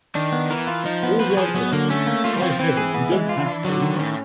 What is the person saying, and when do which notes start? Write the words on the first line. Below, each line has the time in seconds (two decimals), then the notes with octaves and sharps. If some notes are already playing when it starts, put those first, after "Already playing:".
All right, then; by Heaven, you don't have to!
0.15 D#3 D4
0.32 B3
0.50 E3 A#4
0.67 F4
0.85 F3 D#4
1.03 B3
1.20 F3 B4
1.30 F#3
1.37 F3 G#4
1.54 F#3 B3
1.72 D3 A#3
1.90 A3 C#4
2.07 A#3
2.24 A3 F4
2.33 G3
2.42 F#3 C4
2.51 F3
2.59 E3 C4
2.77 G#4
2.94 B3
3.12 G#3
3.29 F4
3.47 D4
3.65 D3 F#3
3.82 D#3
3.94 G#2
3.99 A2 C#4